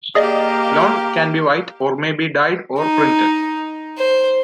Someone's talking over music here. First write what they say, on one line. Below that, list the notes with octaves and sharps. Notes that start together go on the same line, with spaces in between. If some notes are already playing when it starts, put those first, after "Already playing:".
Lawn can be white, or may be dyed or printed.
A#3 G4 G#4 D5 D#5
D#4
C5